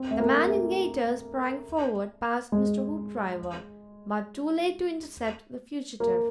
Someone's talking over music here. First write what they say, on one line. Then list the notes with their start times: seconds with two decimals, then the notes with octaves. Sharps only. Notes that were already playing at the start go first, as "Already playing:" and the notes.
The man in gaiters sprang forward past Mr. Hoopdriver, but too late to intercept the fugitive.
Already playing: C4
0.11 A3
0.20 A#3
0.48 A3
2.52 G#3
6.00 A#3